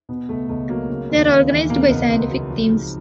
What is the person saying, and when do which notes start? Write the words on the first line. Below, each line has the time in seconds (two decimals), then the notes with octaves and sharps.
They are organised by scientific themes.
0.09 B2 B3
0.29 C#2 A3
0.49 C#2 A3
0.69 F#3 A#3
0.89 C#3
1.10 D#2
1.30 D#2
1.50 E3
1.70 B2 A#3
1.81 A#3
1.90 C#2 B3
2.10 C#2 C4
2.30 F#3
2.50 F3
2.70 G#2